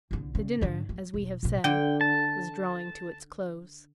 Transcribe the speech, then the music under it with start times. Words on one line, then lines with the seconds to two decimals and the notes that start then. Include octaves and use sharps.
The dinner, as we have said, was drawing to its close.
0.11 C2 D3
0.35 C#3
0.61 G#2 D3
0.89 F#3
1.14 E1
1.43 A#1 B2
1.64 D3 G5
2.01 A5